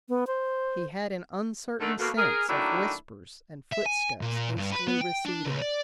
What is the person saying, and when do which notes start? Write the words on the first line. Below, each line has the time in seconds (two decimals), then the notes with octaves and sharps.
He had an uncertain sense of whispers and footsteps hastily receding.
0.09 B3
0.27 C5
1.80 D3 D#3 A3
1.99 B2 A3 A#3
2.17 G#4 A#4
2.48 D#3 F#3 A3 A#3 D4 E4
3.73 E5
3.86 G#5
4.21 A#2
4.57 G2
4.72 B4
4.88 B3
5.01 G5
5.25 D4
5.45 C#2
5.62 D5